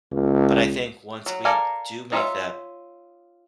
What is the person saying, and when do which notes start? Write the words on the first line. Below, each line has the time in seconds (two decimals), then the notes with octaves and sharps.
but I think once we do make that,
0.12 C#2
1.26 F#3
1.45 A4 A#4 D5 F5 G#5
2.12 D#4 F4 G#4 C#5 E5